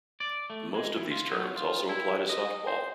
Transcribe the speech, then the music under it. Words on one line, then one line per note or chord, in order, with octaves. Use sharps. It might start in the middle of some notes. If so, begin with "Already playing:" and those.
Most of these terms also apply to softball.
D5
A3
G#3
E3
F4
F#3
F4
E4
D#5
C5